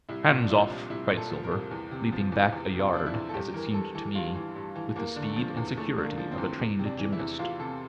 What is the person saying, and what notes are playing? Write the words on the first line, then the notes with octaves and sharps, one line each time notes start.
"Hands off!" cried Silver, leaping back a yard, as it seemed to me, with the speed and security of a trained gymnast.
C2 E4
A#2
D4
F3 E4
C2
C2 E4
A#2
A4
F3
A#4
C2
E2
C3
F3
E2
E2
C3
F4
F3 D4
E4
E2
A4
G2 G4
E3 A#4
G2 A4
E3 A4
G2 F4
E3
G2
E3
E2 A#3
D3
A3
F3
A#3
E2
E2 A3
D3
A#3
F3
C4
E2
E2
C3
D4
E3
E4
E2
E2 F4
C3 A4